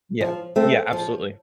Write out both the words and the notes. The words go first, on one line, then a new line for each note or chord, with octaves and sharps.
Yeah, yeah, absolutely.
F3
A3 C4
F3